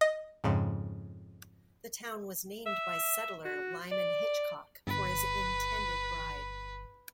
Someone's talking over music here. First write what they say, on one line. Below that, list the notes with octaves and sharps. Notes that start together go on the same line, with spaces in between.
The town was named by settler Lyman Hitchcock for his intended bride.
D#5
F2 G#2 C#3
E5
F#4
D5
G1 B4